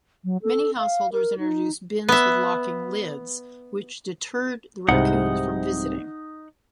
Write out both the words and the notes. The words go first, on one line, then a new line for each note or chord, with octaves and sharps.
Many householders introduced bins with locking lids, which deterred the raccoons from visiting.
F#3
A4
F5
A#4
D#4
B3 E5
C2 G#2 C3 D#4 F#5